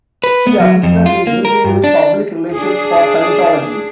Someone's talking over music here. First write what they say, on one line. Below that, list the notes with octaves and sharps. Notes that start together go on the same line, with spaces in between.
She assisted in dealing with public relations for Scientology.
B4
B3
F#3
F2
F4
A#3
A#4
G2
D4
D4 G#4